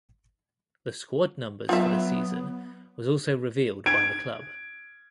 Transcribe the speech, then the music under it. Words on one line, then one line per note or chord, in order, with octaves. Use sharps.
The squad numbers for the season was also revealed by the club.
F#3 B3 F4 E5
G#6 D7